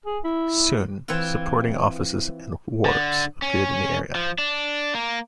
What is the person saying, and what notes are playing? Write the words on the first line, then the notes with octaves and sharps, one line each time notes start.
Soon, supporting offices and wharves appeared in the area.
G#4
E4
E3 C4 E4 F4
D3
C#4
F3
D4
A#3